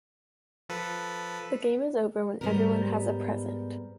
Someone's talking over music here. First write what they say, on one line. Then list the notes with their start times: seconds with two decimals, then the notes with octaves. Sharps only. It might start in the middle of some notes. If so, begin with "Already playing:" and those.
The game is over when everyone has a present.
0.69 F3 A4 B4
2.41 G#2 G3 B3 D4 G4 A#4